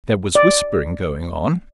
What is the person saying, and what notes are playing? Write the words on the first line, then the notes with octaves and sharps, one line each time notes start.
There was whispering going on.
D5